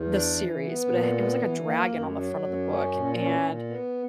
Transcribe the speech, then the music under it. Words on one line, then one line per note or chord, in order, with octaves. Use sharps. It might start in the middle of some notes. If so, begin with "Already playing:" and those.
the series, but, eh, it was, like, a dragon on the front of the book and
Already playing: E2
D4
E3
B3
A#2
B3
E3
A#3
F#2
F#3
F#2
C#4
A#2
C#4
A#2
B3